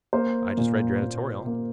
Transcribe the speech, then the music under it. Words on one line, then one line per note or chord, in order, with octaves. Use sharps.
"I just read your editorial."
A#3 C5
A#2
A#2
A#3